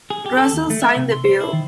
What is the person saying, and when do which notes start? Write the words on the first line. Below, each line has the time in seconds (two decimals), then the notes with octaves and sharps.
Russell signed the bill.
0.10 G#4
0.26 G4
0.37 A4
0.53 D#2
0.70 A3
0.82 E5
0.96 C3
1.12 C6
1.25 C5
1.41 E4
1.53 D#3